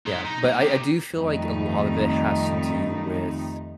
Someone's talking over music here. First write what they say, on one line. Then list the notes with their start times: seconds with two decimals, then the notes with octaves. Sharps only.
Yeah, but I I do feel like a lot of it has to do with
0.06 D#4 C6
0.25 D#4
0.45 A#3
0.61 D#4 G4
1.13 F2 D#3 G3 A3 D#4